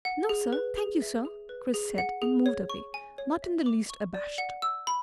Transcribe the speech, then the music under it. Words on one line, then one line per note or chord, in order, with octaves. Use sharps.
"No sir, thank you sir," Chris said, and moved away, not in the least abashed.
F#5
G#4
B4
G#4
E5
G#4
B4
G#4
F#5
G#4
C#5
C#6
G#5
C#5
E5
D6
C#6
D5
F#5
E6
B5